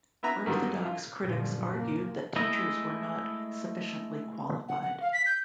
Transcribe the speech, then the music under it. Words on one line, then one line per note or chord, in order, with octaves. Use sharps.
Orthodox critics argued that teachers were not sufficiently qualified.
B3 E4 B4 E5 A#5
G2 D3 D#3 F#3 G3
F4
F#2 A#2 D3 F3 G3
C#3 F3 A#3
G#3 A3 E4 D#5
F#5
F#5
F5
B6
G6